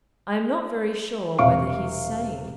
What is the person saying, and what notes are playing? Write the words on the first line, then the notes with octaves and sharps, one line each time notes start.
"I am not very sure whether he's sane."
E1 C3 C#5 F5 C#6 D7